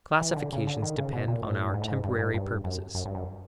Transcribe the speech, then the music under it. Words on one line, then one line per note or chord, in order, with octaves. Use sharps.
Classifications depend on our temporary purposes.
E3
D#3
D3
C#3
D3
D#3
C#3
B2
A#2
A2
G2
G#2
A2
G#2
G2
G#2
G2
F#2
F#2
G2
F#2